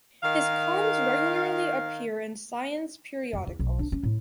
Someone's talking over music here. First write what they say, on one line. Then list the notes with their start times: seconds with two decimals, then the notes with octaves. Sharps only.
His columns regularly appear in science periodicals.
0.23 D#3 F5
3.33 F2
3.47 E2
3.59 B1
3.79 D4
3.92 C#4
4.03 A2